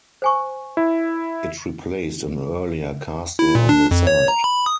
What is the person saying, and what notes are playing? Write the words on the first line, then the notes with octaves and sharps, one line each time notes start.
It replaced an earlier castle on the site.
C5 G#5 C#6
E4
E4
A#2
D4
F2
C#5
A#5
B5
D#6